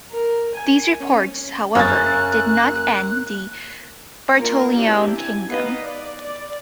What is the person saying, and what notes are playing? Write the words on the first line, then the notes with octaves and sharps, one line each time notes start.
These reports, however, did not end the Bertoleone "kingdom".
A#4
G#5
C#4
F#2 C#3 A#3 C#4 F#6 A6
A#3 D4 F4 A#4
C4 D4 E4 G4
G#5
B3 D#4 B4 D#5 F5
D5
D5